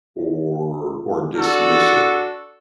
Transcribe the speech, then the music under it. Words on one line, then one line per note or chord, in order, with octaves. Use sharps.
or or dismissive,
D4 F#4 A4